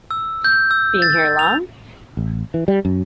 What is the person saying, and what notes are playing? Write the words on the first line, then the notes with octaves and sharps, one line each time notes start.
Been here long?
E6
G6
E6
A6
F7
A1
E3
G3
F#2